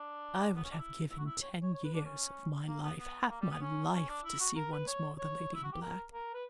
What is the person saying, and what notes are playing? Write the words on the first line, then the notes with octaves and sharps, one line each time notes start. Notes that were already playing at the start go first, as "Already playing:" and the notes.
I would have given ten years of my life--half my life--to see once more the lady in black!
Already playing: D4
B3
C#4
D4
E4
E4
F#4
E4
C#5
C#5
C#5
B4
D4
C#4
A#3
B3
B3
A#3
G3
B3
C#4
C#4
D4
E4
F#4
A#4
B4
C#5
C#5
E4
F#4
G4
A#4
A#4
B4